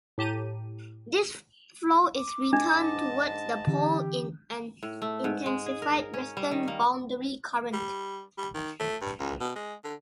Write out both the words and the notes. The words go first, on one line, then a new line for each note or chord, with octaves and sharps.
This flow is returned towards the pole in an intensified western boundary current.
A2 G4 A5 A#5 D#7
D6
G#2 D4 D#5 A5
D3 E3 C#4 G4
A2
A3
G#2
G#3
G#4
A#4
C#4
G3
D#3
A#3
G3
G3
D#3
A3
G2
C#2
B2
G#3
D3